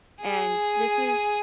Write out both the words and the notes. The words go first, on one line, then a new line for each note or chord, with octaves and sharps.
And this is
G#4